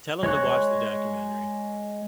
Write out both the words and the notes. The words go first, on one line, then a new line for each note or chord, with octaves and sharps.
Tell 'em to watch the documentary.
G#3 C#5 C#6 F#6